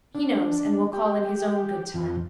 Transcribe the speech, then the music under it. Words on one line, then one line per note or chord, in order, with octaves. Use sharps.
He knows and will call in His own good time.
D4
G4
F2